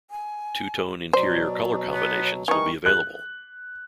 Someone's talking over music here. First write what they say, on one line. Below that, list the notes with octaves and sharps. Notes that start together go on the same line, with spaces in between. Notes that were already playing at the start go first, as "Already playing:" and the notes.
Two-tone interior color combinations will be available.
G#5
B2 F#3 C5 D5
B3 C#5
E3 G3 D#4 A#4 C#6
F#6